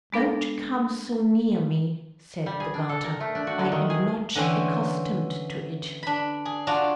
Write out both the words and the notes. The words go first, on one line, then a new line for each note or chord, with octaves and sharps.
"Don't come so near me," said the garter: "I am not accustomed to it."
G#3 B3 D4 A4 A#6
G3
G#4
D4
A4
A#4
A3
D4
F#4
D3
D#3
G#4
D3 E3 C#4 C5 G5
D4 B5
G#4
D4 F4 F#4 D5